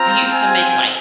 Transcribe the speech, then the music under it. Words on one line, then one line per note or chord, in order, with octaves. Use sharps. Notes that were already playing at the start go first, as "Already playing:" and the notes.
He used to make, like
Already playing: C4 F4 A#5
G#5